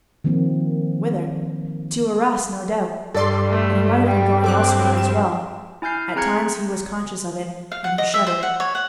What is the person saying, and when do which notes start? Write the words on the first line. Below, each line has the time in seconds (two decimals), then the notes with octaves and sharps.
Whither? To Arras, no doubt; but he might have been going elsewhere as well. At times he was conscious of it, and he shuddered.
0.24 D#3 F3 A#3 C4
3.14 G2 A4 D5 C6
3.50 A3
4.06 G3
4.44 C4 A4 D6 F#6
4.97 E7
5.82 E4 G#5 F6 G6 C7
6.15 C4 G#4 A#5 F#6 G#6 C#7
7.72 F5
7.84 F#5
7.98 D#5
8.14 E5
8.27 C5
8.43 F#5
8.60 C#5
8.75 F#5